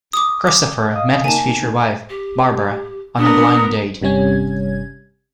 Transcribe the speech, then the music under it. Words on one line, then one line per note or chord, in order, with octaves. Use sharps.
Christopher met his future wife, Barbara, on a blind date.
D6 D#6
D6
D#5 F5 D#6
A#3 D#4 G#5 A5
G4
B3 D4 A#4 D#6
G1 C3 G3 C#4 G#6